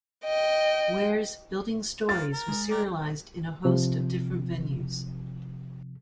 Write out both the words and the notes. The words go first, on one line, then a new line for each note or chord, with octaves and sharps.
Ware's "Building Stories" was serialized in a host of different venues.
D#5 G5
A#3 F4 F5 A6
A#4
G#3
G4 A#4 D5
C3 F3